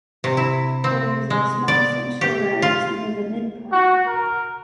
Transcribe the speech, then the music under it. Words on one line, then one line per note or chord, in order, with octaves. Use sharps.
There is a small central rise near the midpoint.
C3
E4
C4
G#3
D5
G4
F4
F#4
A#4